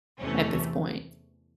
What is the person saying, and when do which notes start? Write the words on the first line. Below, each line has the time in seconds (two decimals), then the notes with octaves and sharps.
at this point
0.19 E2 C3 E3 A3 C#4